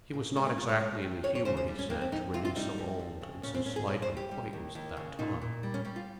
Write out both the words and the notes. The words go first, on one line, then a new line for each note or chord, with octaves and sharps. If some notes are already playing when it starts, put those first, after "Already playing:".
He was not exactly in the humour, he said, to renew so old and so slight an acquaintance at that time.
A#2
G#3 C#4
A#3
G#3 F4
C#5
G#3
F2
F2 C#5
C#5
C#3 C5
C5
G3
C#4
F2 A#3
C4
F2 D#4
C3 F4
F4
G3 D#4
F2
F2
C#3
A#2 C#4
C4
A#2 C#4
G#4
G3 C#5
C5
G3
G4
G3
D#2
D#2
C#3
A#2 D#4
A#2
G3
C#4
G3 C#4
F4